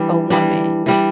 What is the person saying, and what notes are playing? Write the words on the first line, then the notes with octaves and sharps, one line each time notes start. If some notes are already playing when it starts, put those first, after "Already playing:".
a woman
Already playing: E3 G3 D4
E3 G3 D4
E3 G3 D4